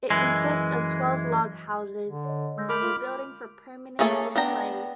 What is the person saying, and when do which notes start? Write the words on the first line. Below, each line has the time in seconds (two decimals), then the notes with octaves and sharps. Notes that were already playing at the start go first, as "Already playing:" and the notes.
It consists of twelve log houses, and a building for permanent displays.
0.10 F#2 E3 G#3
2.08 D3
2.25 C#5 D#5
2.58 G#3 E6 G6 A#6
2.69 A#4 B5 D6 F6 G6
2.82 F4
3.99 A3 A#3 G#4 A4 C#5
4.36 B3 D4 G5 A#5